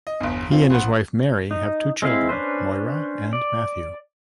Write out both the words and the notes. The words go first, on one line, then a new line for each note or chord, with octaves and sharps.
He and his wife, Mary, have two children, Moira and Matthew.
D#5
G1 E2
C4 F4
A#1 F#5
D#4
G#3 C4 E4 F5
C#4 D4 B4 C5
D5